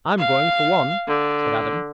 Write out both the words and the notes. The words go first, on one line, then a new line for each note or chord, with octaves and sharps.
"I'm going, for one," said Adam.
F5
D3